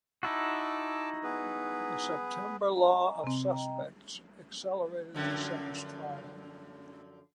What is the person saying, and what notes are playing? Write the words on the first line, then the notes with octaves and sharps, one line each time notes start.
The September Law of Suspects accelerated the son's trial.
D#4 E4 F#4 A5 D6 E6
B3 G#4 B4
D#5 G#5 A#5
C3 C4
D#5 G5 A#5
F#2 D3 F3